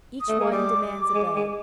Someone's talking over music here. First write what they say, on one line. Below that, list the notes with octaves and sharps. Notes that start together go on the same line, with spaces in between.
Each one demands a bed.
D#6
A3
G#3
G3 D6
G#3
G#3